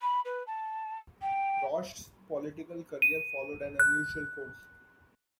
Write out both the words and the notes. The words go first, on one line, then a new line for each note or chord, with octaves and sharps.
Roch's political career followed an unusual course.
B5
B4
A5
G5
D#7
F#6